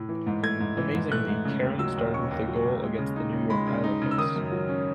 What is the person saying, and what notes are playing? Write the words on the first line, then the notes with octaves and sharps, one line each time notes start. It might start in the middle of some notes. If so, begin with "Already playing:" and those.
Amazingly, Cairns started with a goal against the New York Islanders.
Already playing: A2
E3
G#2
A3 G#6
G#2
E3
G#2
A3 F#6
G#2
C#3
D#2
F#3 E6
D#2
C#3 C#6
D#2
F#3
D#2
G#3
C#3
D#4
C#3
G#3 B5
C#3
D#4
C#3
E6
D#3 D#6
F#2
F#3
C#4